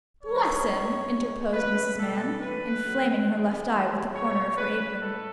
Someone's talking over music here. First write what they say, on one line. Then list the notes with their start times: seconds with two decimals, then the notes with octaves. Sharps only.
'Bless him!' interposed Mrs. Mann, inflaming her left eye with the corner of her apron.
0.23 G#2 E3 G#3 C#5
0.67 F#2 C#3 F#3 A3
1.10 A2 G#3
1.53 C#3 F#3 A3 B4
1.97 B2 F#3 A3 A4
2.40 F#2 E3 A3 B4
2.83 A2 F#3 A3
3.27 F#2 D#3 G#3
3.70 G#2 E3 A3
4.13 B2 G#3 C#5
4.57 C#3 G#3 B4
5.00 A2 A4